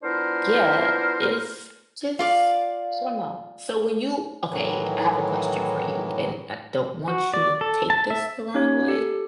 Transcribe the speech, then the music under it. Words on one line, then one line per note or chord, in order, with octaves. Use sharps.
yeah, it's just so no. So, when you okay, I have a question for you, and I don't want you to take this the wrong way.
B3 D4 E4 F4 A#4 C5
F4 D5 F5
A2 D#3 E3 F#3
F#4
D5
A4
A5
E5
C#4 D#4 G4 C#5
G4 A4